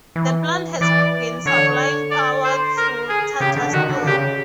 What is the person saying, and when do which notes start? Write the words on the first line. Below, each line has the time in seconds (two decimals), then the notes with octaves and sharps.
The plant has been supplying power to Tata Steel.
0.16 E3
0.81 E3 D5
1.46 D3 C#5
2.11 D5
2.44 C5
2.76 A#4
3.09 G#4
3.40 C#3 G4
3.57 D3
3.73 D#3 F#4
3.89 D3
4.06 C#3 G4